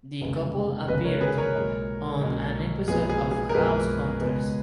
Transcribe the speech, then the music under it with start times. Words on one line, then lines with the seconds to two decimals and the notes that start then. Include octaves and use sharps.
The couple appeared on an episode of "House Hunters".
0.21 F1 D#2 C#3 G#3 B3
0.88 F1 D#2 C#3 G#3 B3 B4 D#5
1.04 A#4 C#5
1.21 G#4 B4
1.38 A#4 C#5
1.55 B1 A#2 G#3
2.21 B1 A#2 G#3
2.88 B1 A#2 F3 G#3 B3 G#4
3.10 G#4
3.31 G#4
3.49 A#4
3.54 B1 A#2 F3 G#3 B3 G#4 B4
4.21 C#2 B2 G#3 B3